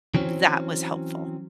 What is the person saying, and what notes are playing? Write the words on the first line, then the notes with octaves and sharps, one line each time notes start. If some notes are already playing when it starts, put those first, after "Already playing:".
that was helpful.
E3 F#3 C4 C#4